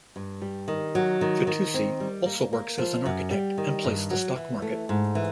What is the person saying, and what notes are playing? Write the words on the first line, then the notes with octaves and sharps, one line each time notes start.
Fitoussi also works as an architect and plays the stock market.
G2
G3
D#3
F#3
D#3
D#3
C4
G3
A#3
A#3
F3
F#2
G3
D#3
G2
F#3
E3
A3
G#2
E3